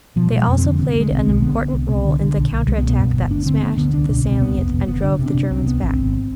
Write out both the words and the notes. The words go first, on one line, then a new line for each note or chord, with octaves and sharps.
They also played an important role in the counter attack that "smashed" the salient and drove the Germans back.
B2 F3
G3
B2
G#3
F2 B3
C4
D3
D4
C3 C4
D2 B3
G#3
B1 C4
B1 G#3
D3 B3
D3
C2
C3
D3
D3
B1
B1
C2 G#3
B3
B2
B3
G2
G1
D2 D4
D3 C4
D2 B3
D3 B3
C2 D4
B2 D4
C2 C4
C2 B3
F1
F1
G1 B3
D3 D4
C3
D4
C3
C2 C4
C2 B3
G#1 C4
G#1